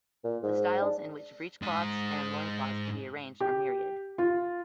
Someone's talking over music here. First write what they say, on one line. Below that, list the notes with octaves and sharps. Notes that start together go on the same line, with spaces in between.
The styles in which breechcloths and loincloths can be arranged are myriad.
A#2
G#2
D4
G#2 D#5
G4
F4